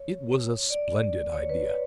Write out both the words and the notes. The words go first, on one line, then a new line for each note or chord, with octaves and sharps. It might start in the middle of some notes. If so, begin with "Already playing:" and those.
It was a splendid idea!
Already playing: C#5
D5
C#5
B4
C#5